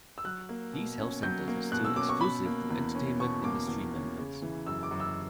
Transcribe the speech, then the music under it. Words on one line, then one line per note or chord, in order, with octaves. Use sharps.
These health centers are still exclusive to entertainment industry members.
E6
F#3 F#6
A#3
B2
C#4
F#3 G6
A#3
B2 F#6
E6
C#4 D6
C#6
B2 B5
A#3
E2
C#4
B2 C#6
A#3 D6
E2
C#4
C#3
E3
F#2 E6
D6
F#2
E6